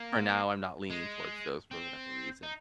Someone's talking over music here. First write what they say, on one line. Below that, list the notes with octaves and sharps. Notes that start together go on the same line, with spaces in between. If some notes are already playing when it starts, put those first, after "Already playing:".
for now, I'm not leaning towards those for whatever reason.
Already playing: A#3
G#3
C4
D#4